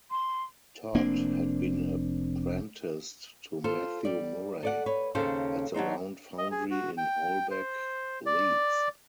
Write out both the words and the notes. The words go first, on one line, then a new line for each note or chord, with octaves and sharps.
Todd had been apprenticed to Matthew Murray at the Round Foundry in Holbeck, Leeds.
C6
F1 A#3 C4 D4
F4 A4 C5
G3 D5
A4 D5 F#5
B4 C#5
D#2 C#3 C#4 A4 C5 A5
F#3 D4 D#4 C5
D#5
G#4
F#4
G5
C5
D5